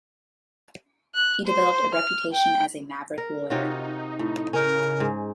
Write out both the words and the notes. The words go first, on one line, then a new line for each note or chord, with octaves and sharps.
He developed a reputation as a maverick lawyer.
F#6
C5
F6
G5
A#4
C3 D#4 F4 F#4
A2
C#3 C#4 D#4 A#4
G#2